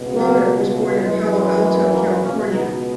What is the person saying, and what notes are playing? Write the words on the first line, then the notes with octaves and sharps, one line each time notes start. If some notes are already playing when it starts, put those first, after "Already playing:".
Rohner was born in Palo Alto, California.
Already playing: C#2 B2
F#3 A#3
F#2 E3 G#3
G#3
G#3
F#3 A#3
C#2 B2 A#3 C#4
B3 D#4